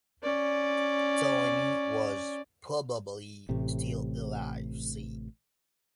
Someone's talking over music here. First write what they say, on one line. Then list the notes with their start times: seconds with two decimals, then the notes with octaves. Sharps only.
Ptolemy was probably still alive "c".
0.23 C#4 D5
3.49 A1 A2 C3